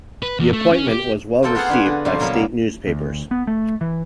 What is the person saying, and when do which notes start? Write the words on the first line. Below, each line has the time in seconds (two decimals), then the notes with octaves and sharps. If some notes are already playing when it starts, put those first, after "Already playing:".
The appointment was well received by state newspapers.
0.23 B4
0.39 E2
0.53 A3
0.71 C#4
0.87 G4
1.43 A#3 C4 A4 G5
1.55 A#3 B3 F4 G#4 C5 F#5
1.69 D4 B4 G#5
1.86 D3
2.05 F2 B2 G3 A#3 C5
2.20 B2 F#3 A#3 B3
2.87 D2
3.31 B3
3.47 A3
3.81 E3